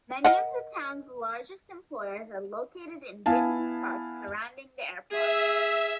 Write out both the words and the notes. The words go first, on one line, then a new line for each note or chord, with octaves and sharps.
Many of the town's largest employers are located in business parks surrounding the airport.
A#4 D#5 F#5
B3 E4 F5 G#5 A5
G#4 E5